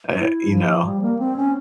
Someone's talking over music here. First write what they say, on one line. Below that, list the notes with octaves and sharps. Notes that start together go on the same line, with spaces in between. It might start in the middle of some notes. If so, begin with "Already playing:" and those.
eh, you know.
E4
F3
G3
A#3
C4
C#4